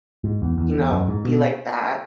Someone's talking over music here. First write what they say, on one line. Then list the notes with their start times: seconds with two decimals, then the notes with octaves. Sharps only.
you know, be like that,
0.24 G#2
0.42 E2
0.57 E2
0.75 E2
0.91 F#2
1.08 G#2
1.25 B2